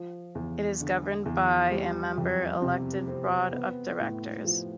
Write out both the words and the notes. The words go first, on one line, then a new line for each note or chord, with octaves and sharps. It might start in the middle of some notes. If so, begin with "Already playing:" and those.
It is governed by a member-elected board of directors.
Already playing: F3
E2
D3
E2
G3
F2
C3
C4
B3
A2
F3